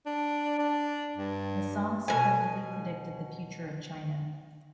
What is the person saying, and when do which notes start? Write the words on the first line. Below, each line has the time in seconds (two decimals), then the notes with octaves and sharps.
The song supposedly predicted the future of China.
0.06 D4
0.58 D4
1.16 G2
2.08 B2 A#3 G#5